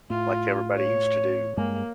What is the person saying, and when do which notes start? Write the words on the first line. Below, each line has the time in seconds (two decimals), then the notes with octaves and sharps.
like everybody used to do.
0.10 A2 F4
0.77 C#5
1.57 G2 G#3 A#3